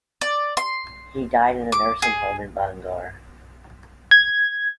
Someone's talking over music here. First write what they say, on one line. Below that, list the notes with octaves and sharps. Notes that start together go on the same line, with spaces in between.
He died in a nursing home in Bangor.
D5
C6
D6
G#4
G#6